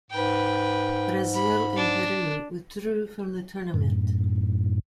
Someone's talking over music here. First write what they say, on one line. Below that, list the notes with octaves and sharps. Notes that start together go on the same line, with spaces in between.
Brazil and Peru withdrew from the tournament.
G#2 B4 G5
B5
D4
F#2 A2